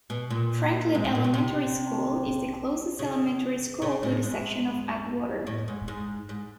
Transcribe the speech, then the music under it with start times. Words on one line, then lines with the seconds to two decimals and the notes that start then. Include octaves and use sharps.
Franklin Elementary School is the closest elementary school to the section of Atwater.
0.10 B2
0.30 A#2
0.95 G#2
1.05 A2
1.15 A#2
1.24 B2
1.34 C3
2.99 C#3
3.82 C#3
4.03 A2
4.23 G#2
5.47 A2
5.68 G#2
5.88 G#2
6.29 G#2